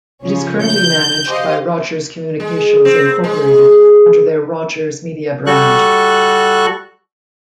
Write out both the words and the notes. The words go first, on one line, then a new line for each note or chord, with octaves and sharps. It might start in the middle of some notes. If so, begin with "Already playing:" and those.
It is currently managed by Rogers Communications Incorporated under their Rogers Media brand.
C#3 F3 C#4
G6
G4 C5 D#5 F5
G#3
C4
G#3
G3 F#4 A4 C#6 F#6